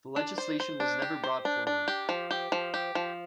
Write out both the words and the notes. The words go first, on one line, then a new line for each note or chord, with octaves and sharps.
The legislation was never brought forward.
D4
C5
C5
D4
G4
C5
D4
D4
G4
F3
G4
F3
G4
F3